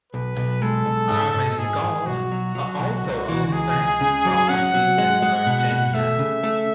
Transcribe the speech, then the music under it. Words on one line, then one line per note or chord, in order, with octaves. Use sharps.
Armengol also owns vast properties in Virginia.
B1 B4
B1
G#3 A4
B1
G#2
G#2
G#2 G#4
G#2
B1 F#4
F#3
F#3
B1
C#2
E3
C#2 G#4
C#2
C#3
F#3
C#4 F#5
F#3
G#3
G#3
B2
B2
A3 E5
C#3
A3